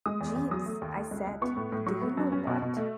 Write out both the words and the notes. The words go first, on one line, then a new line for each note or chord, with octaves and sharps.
"Jeeves," I said, "do you know what?"
G#3 D#6
E2
E2
F#3 D#6
A3
D#2
A3
C#2
C#2
B3 C#6
A2
A2
F#3 C#6
B3
F#2
C#4
B2
B2
A3